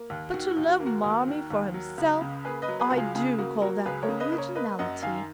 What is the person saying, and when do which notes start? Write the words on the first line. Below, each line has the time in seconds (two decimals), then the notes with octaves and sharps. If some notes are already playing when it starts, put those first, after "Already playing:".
But to love Marmy for himself-- I do call that originality!
Already playing: A#3
0.10 D#2
0.34 D#3 F#4
0.51 F#4
0.57 D#2
0.69 F#4
0.80 A#3
0.86 F#4 A#4
1.04 D#2
1.28 D#3
1.50 D#2
1.74 F#3
1.98 C#2
2.21 C#3
2.45 A#3 G#4 B4
2.62 B4 D#5
2.68 F#3
2.80 G#4 B4
2.90 C#2 F#4
2.97 F4 G#4
3.15 C#3 F4 G#4
3.39 A#3 F#4
3.62 F#3 F#4 A#4
3.85 C#2 G#4 B4
4.03 A#4 C#5
4.09 C#3
4.20 B4 D#5
4.32 A#3
4.38 A#4 C#5
4.55 A#3 B4 D#5
4.79 F#2 D#5 F#5
5.02 D#3 F5 G#5